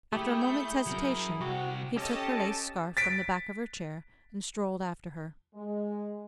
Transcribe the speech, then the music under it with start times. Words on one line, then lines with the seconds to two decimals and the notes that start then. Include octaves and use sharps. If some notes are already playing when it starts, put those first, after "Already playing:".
After a moment's hesitation he took her lace scarf from the back of her chair, and strolled after her.
0.12 A3 E4 G4 G#4
0.41 G6
0.87 F#3 A#4
1.41 C2 F#4 G4
1.96 C#4 G4 A4 D#5 A5
2.97 A6 B6 D7
5.55 G#3